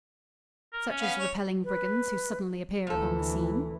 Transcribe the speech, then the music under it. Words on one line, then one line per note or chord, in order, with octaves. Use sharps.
"Such as repelling brigands who suddenly appear upon the scene?"
A#4
C#4
B3 F5
C#5
B4
D2 A#2 E3 A4